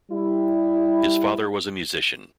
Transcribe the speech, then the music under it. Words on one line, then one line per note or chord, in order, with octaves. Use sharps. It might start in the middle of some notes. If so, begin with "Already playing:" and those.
His father was a musician.
G3 E4